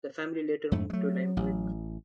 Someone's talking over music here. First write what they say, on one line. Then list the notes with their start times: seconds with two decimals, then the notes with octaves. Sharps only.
The family later moved to Limerick.
0.72 F2 G#2 A3
0.90 F#3 G#3 A3
1.37 A1